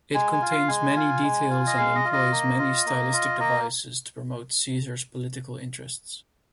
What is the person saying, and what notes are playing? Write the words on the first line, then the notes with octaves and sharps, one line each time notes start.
It contains many details and employs many stylistic devices to promote Caesar's political interests.
G#3 G#5
G#5
F4
F5
G#3 G#5
F4
G#3
F4
D#5
G#3 F5
D#5
F4
D#5
A#3
F4
A#3
F4
A#3 D#5